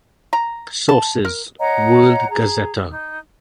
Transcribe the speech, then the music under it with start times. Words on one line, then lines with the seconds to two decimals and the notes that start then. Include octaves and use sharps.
Sources : World Gazetter.
0.33 A#5
0.89 A5
1.25 A#4
1.60 C#5 D#5 F#5 A#5
2.31 G#4 A#5
2.90 D#4